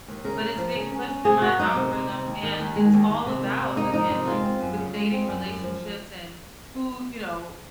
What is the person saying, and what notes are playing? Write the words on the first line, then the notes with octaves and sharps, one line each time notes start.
but it's being pushed in my algorithm. And it's all about, again, like, with dating relationships and, who you know,
D#2
C#3 A#4
C#3
F3
C#3
C#4
C#4
C3 G#4
A#3 F#4
F#3 D#4
C3
C3
C3
D#2
D#3
D#2
G#3
D#2
D#2
C3
A#3
C3
A#3 D#4
F3 D#4
C3 D#4
G#3 F4
C4
F#2
C#3
G#3
C4
F#2
F#2
F3